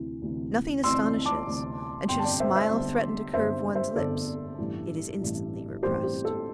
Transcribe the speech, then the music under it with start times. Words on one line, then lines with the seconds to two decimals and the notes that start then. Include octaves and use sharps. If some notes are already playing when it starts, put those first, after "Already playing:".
Nothing astonishes; and should a smile threaten to curve one's lips, it is instantly repressed.
Already playing: D2 C3 E3
0.22 D2 C3 E3
0.84 D2 C3 E3 C6 E6
1.25 A5 D6
1.46 D2 C3 E3
2.09 G1 G2 D3 G5 C6
2.19 A5
2.24 D5 G5
2.40 C5 E5
2.55 C5 E5
2.71 G1 G2 D3
3.33 G1 G2 D3 C5 E5
3.75 C5 E5
3.96 G1 G2 D3 A4 D5
4.58 A1 G2 E3
5.21 A1 G2 E3
5.83 A1 G2 E3 G4 C5
6.04 G4
6.25 A4